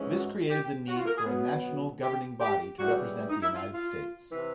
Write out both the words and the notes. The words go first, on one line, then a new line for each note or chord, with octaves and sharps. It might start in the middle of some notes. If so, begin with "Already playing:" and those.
This created the need for a national governing body to represent the United States.
Already playing: G#2 E3 G#3 C#4
F#4
G4
F#4
F4
A#4
G#4
B2 F#3 B3
G4
G4
C#3 E3 G3 F#4
D#4
E4
F4
F4
C3 E3